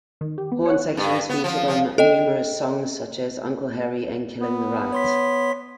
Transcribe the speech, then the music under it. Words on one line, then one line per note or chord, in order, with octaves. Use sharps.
Horn sections featured on numerous songs, such as "Uncle Harry" and "Killing The Right".
D#3
G4
B3
C#5 F#5
G2
B3
F3
F3
A4 D#5 G5
B3
C#5 C6 B6